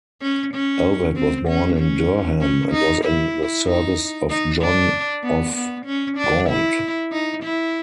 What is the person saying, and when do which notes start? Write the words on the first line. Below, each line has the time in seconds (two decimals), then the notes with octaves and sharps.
Elvet was born in Durham and was in the service of John of Gaunt.
0.22 C#4
0.54 C#4
1.16 C4
1.48 C#4
1.79 C#4
2.41 C#4
2.72 D#4
3.04 E4
3.67 D#4
4.30 D#4
4.61 D4
5.23 B3
5.55 B3
5.86 C#4
6.18 D4
6.49 E4
7.12 D#4
7.43 E4